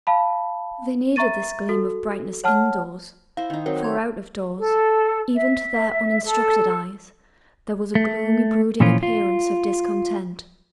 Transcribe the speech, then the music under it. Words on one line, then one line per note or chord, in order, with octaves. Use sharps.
They needed this gleam of brightness in-doors, for out-of-doors, even to their uninstructed eyes, there was a gloomy brooding appearance of discontent.
F5 A5 B5
E5 A#5 C#6 A6 D#7
F#4 A4
C#5 F#5 A5 F6
E4 C5 F5
D#3 D#4
F#3 C4 A#4
C6 G#6
A4
E5
A4
A3
A#2 E3 F3 C#4 F4
F4